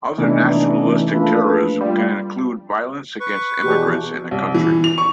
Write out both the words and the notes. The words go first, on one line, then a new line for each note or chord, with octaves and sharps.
Other nationalistic terrorism can include violence against immigrants in a country.
A#1 C3 E3 A3 B3 D4 D#4
A1
A#1 A3 F4 A4 B4
G3 F4
B4 C#6
E2 B2 G4
C2
E3
F7
C#6